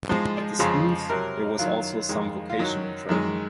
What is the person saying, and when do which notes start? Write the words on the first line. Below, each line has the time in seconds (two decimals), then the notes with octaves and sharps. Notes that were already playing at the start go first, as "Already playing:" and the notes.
At the schools there was also some vocational training.
0.09 G#2 F3 G#3 C5
0.59 F2 C#3 F3 G#3
1.09 C3 F#3 A#4
1.59 F#2 D#3 F#3 F4
2.09 F2 D#3 G#3
2.50 F4
2.59 F#2 D#3 F#3 D#4
3.09 F#2 D#3 G#3